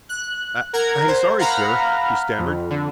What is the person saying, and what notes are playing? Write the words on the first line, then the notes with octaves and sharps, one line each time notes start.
"I--I'm sorry, sir," he stammered.
F#6
A#4 F#5 A#5 G#6
C5
F5 F#5 A#5 B5 F6
F2
D3